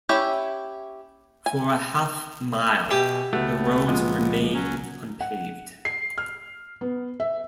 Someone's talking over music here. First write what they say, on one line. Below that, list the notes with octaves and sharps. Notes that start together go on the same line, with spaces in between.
For a half mile, the roads remains unpaved.
C#4 E4 G4 C#5 E5
G#5
B2 G4 E5 G#5
C#2 A3 B3 F#4
A#2 F3 G#3
F#3 C#4
F#5
C7
F6
B3
E5